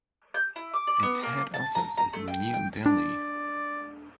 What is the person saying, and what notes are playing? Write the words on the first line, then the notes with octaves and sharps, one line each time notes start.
Its head office is in New Delhi.
G6
E4
D6
D5
B3
A#3
A5
A#5
A#5
A3
G5
G5
D4 D5